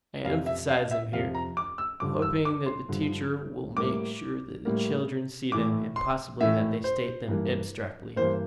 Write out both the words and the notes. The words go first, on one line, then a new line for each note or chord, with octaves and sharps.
I emphasize them here, hoping that the teacher will make sure that the children see them, and possibly that they state them abstractly.
F2 C3 F3 F5
E5
F5
E5
F2 C3 F3 F5
A#5
D6
E6
G2 D3 F3 D6
E6
D6
C6
G2 D3 F3
A2 G3 A#3 D6
A2 G3 A#3
A2 E3 A3 D6
C6
A2 E3 A3 E5
C5
G2 E3 A#3
G2 E3 A#3 C5